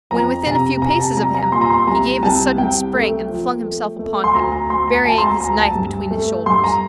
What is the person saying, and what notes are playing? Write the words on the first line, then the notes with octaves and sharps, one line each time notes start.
When within a few paces of him he gave a sudden spring and flung himself upon him, burying his knife between his shoulders.
F2 A#5
C3 A#5
C3 A#5
A5
G3 A#5
A#5
A#2 C6
A#5
C6
C2 A#5
C2 A5
C2 G5
A3
F3
A3
A3
C6
D2 A#5
A#5
D2 C6
A#5
D2 A5
C6
A#5
D2 A#5
A5
G2
A3
G2 C6
A#5